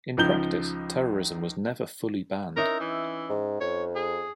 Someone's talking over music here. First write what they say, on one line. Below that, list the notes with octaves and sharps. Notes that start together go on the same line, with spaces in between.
In practice, terrorism was never fully banned.
C#2 F3 D#4 G6 G7
C#4 D#4 A#4 E5
E3
G#2
F2 C#5
G#4